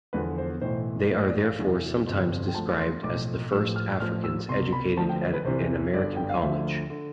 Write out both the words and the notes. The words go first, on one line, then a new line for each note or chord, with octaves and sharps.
They are therefore sometimes described as the first Africans educated at an American college.
E2 D3 F3 B4
C5
B1 A2 E3 C5
A1 A2 E3 C5
D5
F5
E2 C3 E3
G1 F2 C3 F3
G5
D2 D3 F3 A5
C6
B1 A2 F3 D6
A1 A2 F3 E6
F6
A1 A2 F3 F6
E6
C2 B2 C6
B5
D2 D3 F3 A5
G5
C5
B4
C2 C3 E3 C5
G1 G2 D3 D5
G5
F5
D2 D3 F3 E5
D3